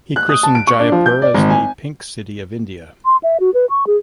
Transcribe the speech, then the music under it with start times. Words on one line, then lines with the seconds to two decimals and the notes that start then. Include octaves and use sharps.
He christened Jaipur as 'the Pink City of India'.
0.16 F#6
0.29 D#6
0.43 A5
0.55 D7
0.67 C#6
0.80 D4
0.92 F3
1.06 G6
1.22 D5
1.34 G#1
1.50 G#5
3.05 C6
3.23 E5
3.40 F#4
3.54 B4
3.70 C#6
3.87 G#4